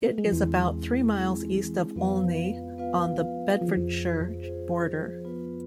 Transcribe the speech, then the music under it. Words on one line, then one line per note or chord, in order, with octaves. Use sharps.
It is about three miles east of Olney, on the Bedfordshire border.
B3
A3
G#3
F3
E2 E3 G#3 C4 E4 G#4
G#3 C4 E4 G#4
F2 F3 B3 F4 B4 F5
B3 F4 B4 F5
F3 F4 G#4 C5
E3
F2 F3
F4 G#4 C5
B3 F4 B4